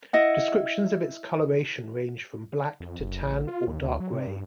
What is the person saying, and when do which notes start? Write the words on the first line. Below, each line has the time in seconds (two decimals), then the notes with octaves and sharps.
Descriptions of its coloration range from black to tan or dark grey.
0.13 E4 D#5 F#5
2.80 F2
3.00 F#1
3.24 A1
3.47 F4
3.68 D#2
3.82 D2
4.00 F#3
4.12 C3
4.27 G2